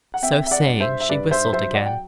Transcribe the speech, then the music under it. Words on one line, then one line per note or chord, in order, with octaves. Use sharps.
So saying, she whistled again.
F#5
C4 E5 G5
E5
D5 F#5
G2
C5 E5
E5
G2 B4 D5
C5 E5
F#3 C5 E5
D5 F#5
G5